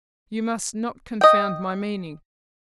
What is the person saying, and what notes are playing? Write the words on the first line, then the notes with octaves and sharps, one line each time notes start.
You must not confound my meaning.
D#5 G5